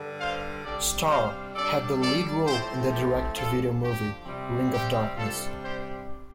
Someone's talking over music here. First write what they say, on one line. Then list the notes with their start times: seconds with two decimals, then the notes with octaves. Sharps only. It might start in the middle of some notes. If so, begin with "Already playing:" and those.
Starr had the lead role in the Direct-To-Video movie, "Ring of Darkness".
Already playing: G2 D3 G3
0.18 C5 F5
0.64 C3 G3 D4 A4 D5
1.09 C5 F5
1.55 D3 G3 D4 A4 D5
2.00 A4 D5
2.45 A2 F3 A3 C4 G4 C5
2.90 G4
3.36 D3 F3 D4 F4 A4
3.81 G4
4.26 C3 G3 C4
4.71 G4
5.16 C3 G3 D4 F4 A4
5.61 G4 C5